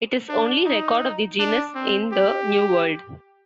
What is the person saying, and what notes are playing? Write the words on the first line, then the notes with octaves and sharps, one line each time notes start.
It is only record of the genus in the New World.
D4
D#4
D4
C4
G4